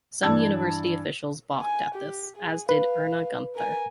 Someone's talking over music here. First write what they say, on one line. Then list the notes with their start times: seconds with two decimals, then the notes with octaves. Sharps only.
Some University officials balked at this, as did Erna Gunther.
0.23 G2 E3 D5 A5 E6 G#6
1.61 G#5
1.95 G4
2.36 G#4
2.69 B4 F5
3.55 A#4 G#5